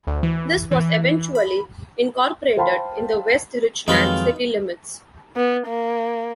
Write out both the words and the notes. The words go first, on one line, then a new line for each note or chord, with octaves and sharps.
This was eventually incorporated in the West Richland City limits.
D2
E3
E3
B5
C5 F5 G5 A5 B5 C6
F2 D#3 F#3 G#3 D#4 F4 B4
B3
A#3